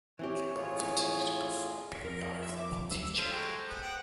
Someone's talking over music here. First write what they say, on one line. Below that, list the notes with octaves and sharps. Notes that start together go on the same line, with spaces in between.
Kimball continued to perform periodically while teaching.
E3 C4 G4 C#5
A2 F4 G#4
F2 A#4
E5
D6
D2 F#3 D4 E6
F4 A4 C5
F#3 G#3 G4
B3
F#5 G5